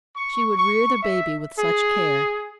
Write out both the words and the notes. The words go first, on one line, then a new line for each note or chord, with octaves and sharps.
She would rear the baby with such care.
C#6
C#6
E5
G#4